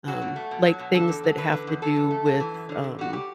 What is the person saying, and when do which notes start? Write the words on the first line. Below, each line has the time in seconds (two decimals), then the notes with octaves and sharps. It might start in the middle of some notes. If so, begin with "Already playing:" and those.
um, like, things that have to do with, um,
0.08 F#3 F#4
0.22 B2
0.36 A3
0.51 B2
0.66 F#3
0.79 B2
0.94 D3 A4
1.09 E2
1.24 F#3
1.38 E2 B4
1.52 D3
1.67 E2
1.82 E3 A4
1.96 F#2
2.11 A3
2.26 F#2
2.40 E3
2.54 F#2
2.69 D3
2.84 F#2
2.99 G3 F#4
3.13 G4